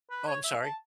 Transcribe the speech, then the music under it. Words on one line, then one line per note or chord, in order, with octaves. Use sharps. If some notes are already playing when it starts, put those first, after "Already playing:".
Oh, I'm sorry
B4
C#5
E5
A5